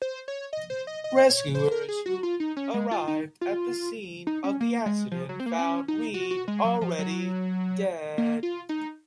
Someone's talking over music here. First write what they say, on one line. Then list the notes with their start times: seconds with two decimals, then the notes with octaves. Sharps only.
Rescuers who arrived at the scene of the accident found Reed already dead.
0.02 C5
0.28 C#5
0.53 D#5
0.70 C5
0.87 D#5
1.04 D#5
1.29 C#5
1.55 C5
1.71 A#4
1.88 G#4
2.06 F#4
2.23 F4
2.40 D#4
2.57 C#4
2.74 G#3
2.91 F4
3.08 D#4
3.41 F4
4.27 D#4
4.44 C#4
4.60 A#3
4.86 G#3
5.11 F3
5.29 F#3
5.40 C4
5.46 A#3
5.59 C4
5.62 C#4
5.88 D#4
6.14 F#4
6.31 F#4
6.48 G#3
6.64 F#3
6.81 F3
6.99 F#3
8.18 A#3
8.43 F4
8.69 D#4